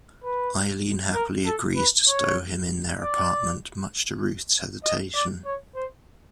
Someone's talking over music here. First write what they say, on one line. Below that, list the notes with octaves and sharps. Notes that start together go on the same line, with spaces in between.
Eileen happily agrees to stow him in their apartment, much to Ruth's hesitation.
B4
A#4
A4
B4
C#5
D5
D#5
D5
C#5
C5